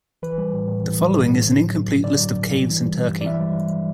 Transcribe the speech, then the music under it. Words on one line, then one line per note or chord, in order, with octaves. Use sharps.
The following is an incomplete list of caves in Turkey.
E3 B4
G3
A2
A2
E3
G3
A2
A2
D3
F#3
G2
G2
D3 D5
F#3
G2
G2
E3
G3
G2
G2
D5
E3 E5
G3
G2